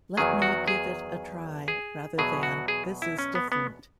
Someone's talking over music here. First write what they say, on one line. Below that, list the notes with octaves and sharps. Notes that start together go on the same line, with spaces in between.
Let me give it a try', rather than 'This is different.
E2 D#3 F#3 G#4
F#4
G#4
G#4
E2 B2 F#3 G#4
F#4
G#4
E4
C#4
B3
B3